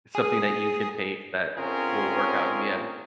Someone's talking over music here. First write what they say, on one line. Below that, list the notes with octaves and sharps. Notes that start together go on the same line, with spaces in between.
something that you can take that will work out in the end."
G#4 D#6
D3 C4 C#4 F4 G#4 A#4